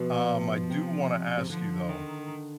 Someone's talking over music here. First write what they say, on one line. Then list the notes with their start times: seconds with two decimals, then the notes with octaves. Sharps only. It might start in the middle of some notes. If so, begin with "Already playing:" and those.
um, I do wanna ask you, though,
Already playing: B2 F3
0.70 C3
1.37 C3
1.49 D3 F3
1.89 D#3